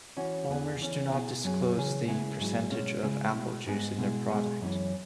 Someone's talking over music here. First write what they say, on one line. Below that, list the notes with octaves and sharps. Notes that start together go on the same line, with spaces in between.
Bulmers do not disclose the percentage of apple juice in their product.
E3 C#4 F#4
E2 E3 B3 G#4
E3 C#4 G#4
B2 B3 E4 G#4
F#2 F#3 C#4 G#4
C#3 E3 C#4 G#4
C#3 G#3 B3 E4 G#4
G#2 F#3 E4 G#4
B2 G#3 C#4
C#3 G#3 E4 G#4
B2 G#3 E4
G#2 G#3 B3 G#4
B2 G#3 E4 G#4
B2 G#3 B3 G#4
F#2 E3 C#4